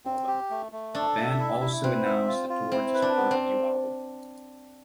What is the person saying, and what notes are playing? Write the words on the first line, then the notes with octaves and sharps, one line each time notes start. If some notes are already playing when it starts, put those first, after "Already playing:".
The band also announced a tour to support the new album.
C4
G4
A3
A3
D4 A4
E5
E4
E4
C4 B4
E5
F4
F4
C4 E4
B4
D4
B3
C4